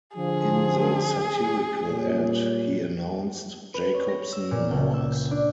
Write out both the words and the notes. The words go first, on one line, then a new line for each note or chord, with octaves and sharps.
In the satirical ad, he announced: Jacobsen Mowers.
D3 F3 G#4
A#2 G3 C#5
B4
C#5
A#6
E6
A#2
C#2
E6
G6
D4